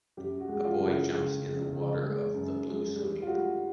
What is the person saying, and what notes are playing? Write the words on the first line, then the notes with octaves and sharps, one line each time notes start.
A boy jumps in the water of the blue swimming pool.
F#2 G4
F#4
G#3
F#4
F4
C#3
E4
C#2
C#3
C#2
G#3
F#2
G#3
G3
F4
G3 F#4